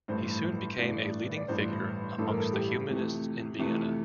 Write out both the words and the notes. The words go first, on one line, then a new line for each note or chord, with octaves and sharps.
He soon became a leading figure amongst the humanists in Vienna.
A1 G2 E3 A3 C5
A1 G2 E3 A3 D5
D5
A1 G2 E3 A3 C5
A1 G2 E3 A3 A4
A#4
A4
G4
F2 C3 E3 A3
F2 C3 E3 A3